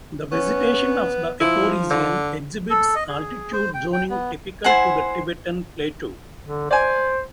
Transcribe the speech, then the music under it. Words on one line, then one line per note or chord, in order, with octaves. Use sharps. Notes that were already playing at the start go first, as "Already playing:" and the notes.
The vegetation of the ecoregion exhibits altitude zoning typical to the Tibetan Plateau.
B3 C#4
F3 E4
D3
A4
D#5
G#4
C5
G5
G5
B3
E4 C5 F#5 G#5
D3
C5 D5 G#5